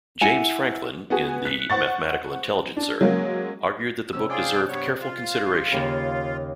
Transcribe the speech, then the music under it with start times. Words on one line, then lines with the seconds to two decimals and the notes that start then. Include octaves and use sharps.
James Franklin in the "Mathematical Intelligencer" argued that the book deserved careful consideration.
0.21 E4 F#5 G#5
1.10 B3 F#4 G#4
1.45 F#6 B6
1.70 C5 F#5 C#6 A6
2.77 D4
3.01 F#3 G#3 A#3 C#4
4.13 C3 C#4 E6
4.30 F4 G#4 D5 G5
4.68 G2 B3 C#5
5.01 F4
5.72 D#2 C#3